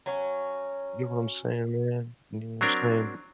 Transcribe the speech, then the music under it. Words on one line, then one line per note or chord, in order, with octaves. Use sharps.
You know what I'm saying, man? You know what I'm saying?
F#3 C#4
F#3 C4 D4 A#4